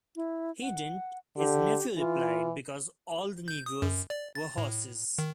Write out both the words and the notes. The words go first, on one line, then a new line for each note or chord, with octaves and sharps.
He didn't, his nephew replied, because all the negroes were horses.
E4
F#5
D3 G4
E3 F4
G6
D#6
F#2
D5
A6
A2
D#3